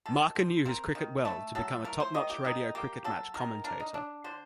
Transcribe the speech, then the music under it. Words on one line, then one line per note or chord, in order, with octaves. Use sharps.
Marker knew his cricket well to become a top-notch radio cricket match commentator.
D#3 A4
C4
C4 A#4
D#3
A3 A4
F#3 A4
A3 A#4
C5
D#3 D#5
G4
D#3 D#4
A#3 G4
F#3 A4
D#3 A#4
D4 A#4
D#4
D4
D3 C5